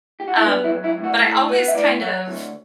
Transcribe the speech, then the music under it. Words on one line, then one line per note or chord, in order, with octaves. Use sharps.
um, but I always kind of,
G4
F#4
E4
B3 D4
E4
F#3
E4
A2
F#4
A2 A4
B3 B4
E5
A2 D5
F#3 C#5
D2